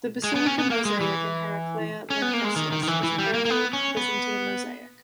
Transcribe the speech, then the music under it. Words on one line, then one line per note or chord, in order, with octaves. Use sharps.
The Basilica Mosaic in Heraklea Lynkestis is an early Byzantine mosaic.
G#3
B3
C#4
B3
A#3
G#3
E3
C#4
B3
A#3
G#3
D#3
D#3
D#3
E3
E3
G3
A#3
A#3
B3
C#4
B3